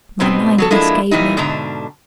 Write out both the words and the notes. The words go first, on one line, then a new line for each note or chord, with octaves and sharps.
'My mind misgave me.
G#2 B2 G3 B3 C4
F#3 B3 A4
F3 G#3 A#3 D4 E4
A#2 E3 G3 D#4
G#2 B2 D3 D4 A#5